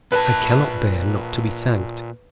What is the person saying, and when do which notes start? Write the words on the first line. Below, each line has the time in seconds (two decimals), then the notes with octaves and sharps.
I cannot bear not to be thanked.
0.12 A#2 A4 B4 A5